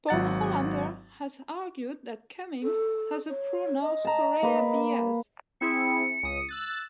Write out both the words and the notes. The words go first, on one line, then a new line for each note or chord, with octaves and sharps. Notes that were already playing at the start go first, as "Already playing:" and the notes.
Paul Hollander has argued that Cumings' has a pro-North Korea bias.
G#1 F#3 F#5 A6
A4
C#5
D#5
A5 A#5
A#3 B4
C4 E4 G#4 C#7
C#2 D#6 D#7
E6 F#6 A6